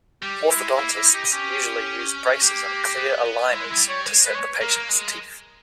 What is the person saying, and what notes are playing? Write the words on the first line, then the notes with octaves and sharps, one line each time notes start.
Orthodontists usually use braces and clear aligners to set the patient's teeth.
G3 G4
G#3 E4
A#3 E4
E4
D#4
G4
D#4
C#4 G4
A#3 G4
B3
B3
G#3 E4
G#3 E4
G3
C#5
G#3
B4
C#5
A#3 A#4
G#3
A#3
G#3